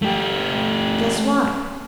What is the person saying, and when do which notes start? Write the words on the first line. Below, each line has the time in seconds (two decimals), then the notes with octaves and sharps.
Guess why?
0.02 A3 G4